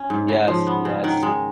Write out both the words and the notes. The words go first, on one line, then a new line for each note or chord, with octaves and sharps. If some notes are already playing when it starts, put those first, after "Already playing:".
Yes, yes.
Already playing: C#4
G#2
C#3
F3
B3
C#3
D#3 F#5
G#3